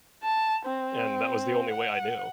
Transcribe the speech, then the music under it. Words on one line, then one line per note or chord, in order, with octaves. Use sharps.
and that was the only way I knew.
A5
C4
F#5